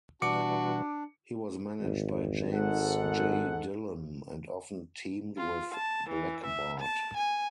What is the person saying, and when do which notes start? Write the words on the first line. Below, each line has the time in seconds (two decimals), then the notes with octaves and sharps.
He was managed by James J. Dillon and often teamed with Black Bart.
0.22 B2 E3 G3 D4 F#4 D6 C#7
1.80 G#1
2.54 G#2 A4 F#5
5.38 F4
5.75 A5
6.10 E3
6.47 E5
6.81 A5
7.18 G#5